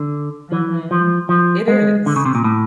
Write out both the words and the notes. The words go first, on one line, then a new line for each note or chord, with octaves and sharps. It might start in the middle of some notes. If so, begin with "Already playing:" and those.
Mhm, it is.
Already playing: D3
E3
F3
F3
G#3
D3
C#3
C3
A#2
A2